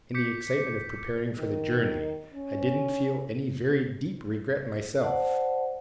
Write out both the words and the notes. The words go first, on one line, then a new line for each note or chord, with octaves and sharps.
In the excitement of preparing for the journey I didn't feel any very deep regret myself.
D6 G6 B6 C#7
D#3
C#4
C5 D5 F#5 A5